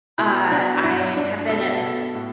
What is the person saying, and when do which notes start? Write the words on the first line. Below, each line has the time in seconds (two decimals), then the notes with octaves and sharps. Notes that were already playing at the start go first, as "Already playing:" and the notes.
Uh, I've have been a a
0.18 B2 E4
0.52 B2 D4
0.83 G2 E4
1.16 G2 D4
1.49 B2 A4
1.82 B2
2.15 A2